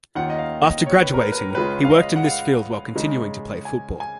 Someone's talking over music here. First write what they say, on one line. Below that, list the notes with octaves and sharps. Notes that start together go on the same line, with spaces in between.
After graduating, he worked in this field while continuing to play football.
D#2 D#3 A#3 C#4 F4 F#5
D#5
F5
D#5
C#5
B4
A#4
B4
B4
A#4
A#4
C#2 C#3 G#3 C#4 F4 B4
F5
D#5
F#5
F5
C#3 G#3 D#4
G#5
G#5